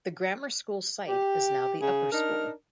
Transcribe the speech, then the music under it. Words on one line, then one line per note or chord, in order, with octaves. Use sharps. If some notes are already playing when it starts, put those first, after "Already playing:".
The grammar school site is now the upper school.
G4
C#3 G#4
D4 D#4 A#4